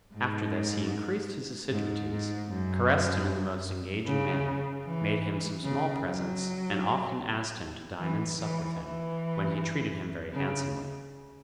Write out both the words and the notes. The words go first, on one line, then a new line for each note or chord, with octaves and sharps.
After this he increased his assiduities, caressed him in the most engaging manner, made him some small presents, and often asked him to dine and sup with him, when he treated him very handsomely.
G#2
G#2
G#2
F#2
C#3
E3
C#3
F#3
E3
E3
E3
C#3